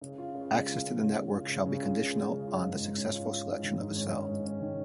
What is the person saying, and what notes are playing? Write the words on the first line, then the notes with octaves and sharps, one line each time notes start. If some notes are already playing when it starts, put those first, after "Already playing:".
Access to the network shall be conditional on the successful selection of a cell.
C#3
F4
C#3
G#3
F4
C#3
C#3
C#3
F4
C#3
C#3
F4
C#3
G#3
C#3
F4
G#2
G#2
C#4
F4
F4
G#2
D#3
G#2
C#4
G#2
G#2
C#4
D#3